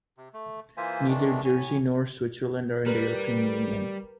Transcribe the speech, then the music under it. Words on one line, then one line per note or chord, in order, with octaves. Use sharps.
Neither Jersey nor Switzerland are in the European Union.
C3
A3
E3 A#3 F4 C5 E5 G#5
C3 D#3 E3 G#3 A3 D4
A2 C#5 G#5
G3 A#4 B4